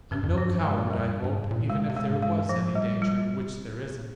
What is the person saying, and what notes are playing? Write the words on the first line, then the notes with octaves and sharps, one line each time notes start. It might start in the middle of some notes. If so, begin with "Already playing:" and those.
"I'm no coward, I hope, even if there was any danger which there isn't."
G2 C#4
F2
G2 F3
G#3
F2 G3
G2
G2
G#2
A#2
C3 G#3
C3
G#3
G#2
G#3
G2
G#2 F3
G3
G3